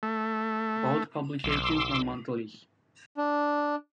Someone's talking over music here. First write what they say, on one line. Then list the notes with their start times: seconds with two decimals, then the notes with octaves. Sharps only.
Both publications were monthlies.
0.03 A3
1.44 B1 C6 D6 E6
3.17 D4